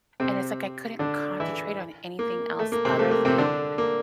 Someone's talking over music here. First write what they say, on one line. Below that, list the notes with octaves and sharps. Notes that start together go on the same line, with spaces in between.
And it's like I couldn't concentrate on anything else other than
C3 C4
D3 D4
E3 E4
A#3
A3
A#3
C3 C4
A3
A#3
C3 C4
D3 D4
A#3